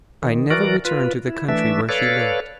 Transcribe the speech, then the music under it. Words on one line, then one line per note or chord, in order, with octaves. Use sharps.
"I never returned to the country where she lived."
D#3
E3 F#4 A#4 D5
F4 B4
E4
E3 A3 D4 E5
A4 B4 C#5 D5 F5